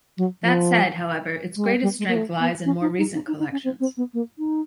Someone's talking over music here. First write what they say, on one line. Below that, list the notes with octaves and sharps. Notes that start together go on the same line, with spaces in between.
That said, however, its greatest strength lies in more recent collections.
F#3
F3
G#3
G3
G3
G#3
A#3
A3
B3
C#4
D#4
D#4
D#4
D#4
D#4
C#4
C4
C4
B3
A#3
D#4